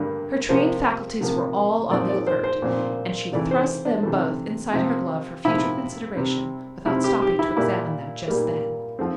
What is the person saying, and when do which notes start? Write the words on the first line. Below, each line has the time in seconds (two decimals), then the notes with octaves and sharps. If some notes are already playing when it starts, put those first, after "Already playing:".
Her trained faculties were all on the alert, and she thrust them both inside her glove for future consideration, without stopping to examine them just then.
Already playing: G2 D3 G3 A#3
0.49 C3 F3 A#3 C5
1.21 C3 F3 A#3
1.91 A#2 F3 C4 D5
2.09 D5
2.27 C5
2.44 C5
2.62 A#2 F3 C4
3.32 C3 E3 A3 D5
3.51 C5
3.85 D4
4.03 C3 E3 A3
4.74 C3 F3 C4
5.45 C3 F3 C4 E4
6.16 C3 G3 C4
6.86 C3 G3 C4 E4
7.04 G4
7.22 G4
7.39 E4
7.57 A#2 G3 A#3 E4
8.28 A#2 G3 A#3
8.99 F3 A3 C4